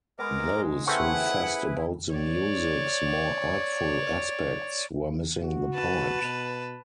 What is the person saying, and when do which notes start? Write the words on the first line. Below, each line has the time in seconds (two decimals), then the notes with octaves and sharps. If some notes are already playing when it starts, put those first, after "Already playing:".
Those who fussed about the music's more artful aspects were missing the point.
0.19 G#3 B3 A#4 A#5 D6
0.87 A3 C4 C#4 E4 G#4 B4 F#5
2.16 C#5 D5
5.43 F#4
5.74 B4 A5
6.22 B2